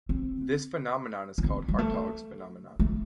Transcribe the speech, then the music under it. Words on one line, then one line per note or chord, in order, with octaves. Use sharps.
This phenomenon is called Hartogs' phenomenon.
C4
D4
C4
G3
A3
A3